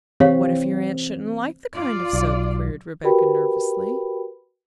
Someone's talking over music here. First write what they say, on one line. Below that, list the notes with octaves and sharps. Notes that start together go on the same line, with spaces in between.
"What if your aunt shouldn't like the kind of soap?" queried Rebecca nervously.
E3 C4 G4 C#5 F5
F4 D5
B1
F#4 G4 A#4 B4 G5 B5